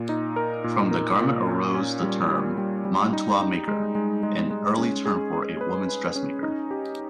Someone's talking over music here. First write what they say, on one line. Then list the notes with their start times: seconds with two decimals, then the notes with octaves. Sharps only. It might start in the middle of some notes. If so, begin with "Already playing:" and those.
From this garment arose the term "mantua-maker", an early term for a women's dressmaker.
Already playing: A#2
0.09 D#4
0.36 A#4
0.64 A#2
0.91 A#4
1.19 A#2
1.47 C#4
1.74 C#4
2.02 G3
2.30 G3
2.58 G3
2.85 G3
3.13 D#4
3.40 D#4
3.68 G#3
3.95 G#3
4.23 G#3
4.50 G#3
4.78 C#4
5.05 G#4
5.33 G#4
5.61 B4
5.89 B4
6.16 C#4
6.43 D#4
6.71 G4